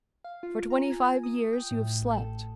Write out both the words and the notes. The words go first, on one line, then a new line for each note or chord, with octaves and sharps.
For twenty-five years you have slept.
F5
F4
A#5
G#5
D#6
G5
A2
A1
A4